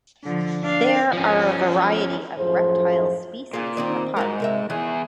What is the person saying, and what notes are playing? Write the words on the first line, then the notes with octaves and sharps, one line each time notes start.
There are a variety of reptile species in the park.
D3 F3
D4 F5
F3 C#4
F#2 A2 F3 G#4 C5
A#2 F4 G#4
D#3 C4 D5
G#2 G3 F#4 A#4
C3 A#4 E5
E2 E3 G#4